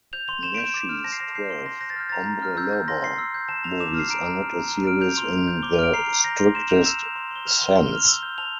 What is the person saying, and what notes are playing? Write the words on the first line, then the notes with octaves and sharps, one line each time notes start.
Naschy's twelve "Hombre Lobo" movies are not a series in the strictest sense.
G6 F7
C6 F7
C6 E7
G6 D7
E7
D6
F6
A5 A#6
C7
A5 A#6
G6 C7
C6
C6 A#6
G6 A#6
A6
F6 G6
A#5 A6
A#5
F6
E6 G6
G6
C6 A#6
C6 C7
E6
G6
A5 E7
A5 F7
D6 E7
F6 C7
A#5 D7
A#5
F6
A#5
A#5
F6 D7
G6 F7
C6 F7
C6 F7
G6
D6 G7
F7
F6 D7
A#5 C7
A#5
G6 A#6
C6
C6 E7
G6 F7
E6 E7
G6
C6
C6 G7
F6 F7
C6 G7
C6
G7
F6 F7
E6 G7
G6
A5 F7